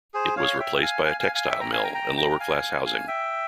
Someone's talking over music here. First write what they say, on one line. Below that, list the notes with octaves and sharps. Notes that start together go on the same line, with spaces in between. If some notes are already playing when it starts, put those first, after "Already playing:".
It was replaced by a textile mill and lower-class housing.
G#4 C5
C#5 F5
E5 G5
F5 G#5
F5 G#5
F5 G#5
F5 G#5
E5 G5
G5 A#5
F5 G#5
G5 A#5
G5 A#5
G5 A#5
F5 G#5
F5 G#5
E5 G5